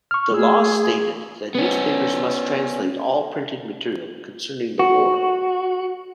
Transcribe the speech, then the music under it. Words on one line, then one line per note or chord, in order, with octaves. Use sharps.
The laws stated that newspapers must translate all printed material concerning the war.
C#6 F6
A3 G#4 E6
B3 C#4
F#4